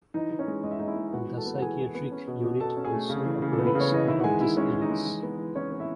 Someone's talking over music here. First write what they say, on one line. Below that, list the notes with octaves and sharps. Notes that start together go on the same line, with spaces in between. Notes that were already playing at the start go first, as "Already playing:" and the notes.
The psychiatric unit also operates out of this Annex.
E3 D#4 D#5
E3
C#4 C#5
G#3
G#3 D#5
E5
G#3 D#4 D#5
E4 E5
G#3
E5
B3 F#4 F#5
E3
A4 A5
B3
F#5
E3 G#4 G#5
E3
B3
C#4
B2
B2
B2 A4 A5
C#4
G#4 G#5
A3
C#3
E3
C#3
A4
B3
B4
C#3
C#5
E3 D#5
D#3 E4 E5
F#5
G#3 G#4 G#5
D#3 E4 E5
G#3 C#4 C#5
D#3
D#4 D#5
G#3
E3
B3
E3
E3 C#4 C#5
B3
E4 E5